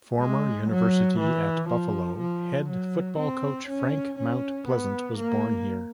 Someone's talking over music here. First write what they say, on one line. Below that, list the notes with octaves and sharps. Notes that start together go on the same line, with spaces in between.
Former University at Buffalo head football coach Frank Mount Pleasant was born here.
G#3
F#3
E3
F3
F3
F#3
C4
C#4
C#4
B3
A#3